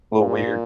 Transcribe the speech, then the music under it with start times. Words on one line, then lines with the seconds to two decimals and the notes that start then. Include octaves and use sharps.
little weird.
0.17 A#2